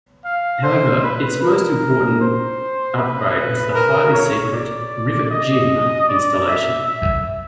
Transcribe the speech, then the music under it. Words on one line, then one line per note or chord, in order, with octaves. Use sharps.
However its most important upgrade was the highly secret "Rivet Gym" installation.
F5
C5
B4
A#4
C5
B4
A#4
C#5
D5
D#5
D5
E5
E5